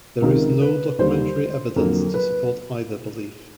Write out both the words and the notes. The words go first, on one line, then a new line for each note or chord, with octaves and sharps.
There is no documentary evidence to support either belief.
C#2 C3 D#3 A#4
B4
D#2 D#3 G3 C5
F2 D3 F#3 A#3 A#4
B4